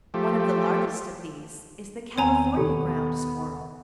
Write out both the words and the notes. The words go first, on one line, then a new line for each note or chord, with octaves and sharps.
One of the largest of these is the California Ground Squirrel.
F3 A3 G4
E2 D#3 B3 C4 C#5 G#5 A#5
D#2 B2 D#3 B3 G4 A4